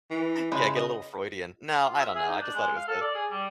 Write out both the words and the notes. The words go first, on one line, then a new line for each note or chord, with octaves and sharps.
Yeah. Get a little Freudian. No. I don't know. I just thought it was the
E3
C#3 E3 G#3
D#5
F4
E5
G#4
D#4
D4
G#3
F5
A4
D5
G#4
G3